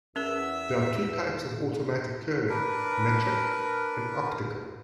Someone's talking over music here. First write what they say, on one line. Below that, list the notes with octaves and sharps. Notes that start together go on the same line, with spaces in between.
There are two types of automatic kerning: "metric" and "optical".
E2 C#4 A#4 E5 E6
D4 A#4 B4